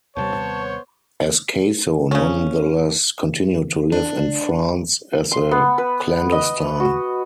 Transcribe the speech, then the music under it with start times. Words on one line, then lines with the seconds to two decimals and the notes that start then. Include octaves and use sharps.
Ascaso nonetheless continued to live in France as a clandestine.
0.17 D#2 C3 G3 B3 C5 C#5 A5
2.11 C#3 C#4
3.92 D4
5.32 C6
5.51 B3
5.78 B4
6.32 D#5
6.80 F#4